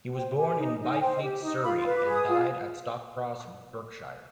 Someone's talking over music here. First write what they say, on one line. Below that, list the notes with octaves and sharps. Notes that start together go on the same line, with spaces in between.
He was born at Byfleet, Surrey and died at Stockcross, Berkshire.
C5 G5
G4 G#5
D#4
D#4
G#5
C5 G5
D#5
G4
D#4
D#5
F4 B5
C6
B4
D6
G#4
D#6
F4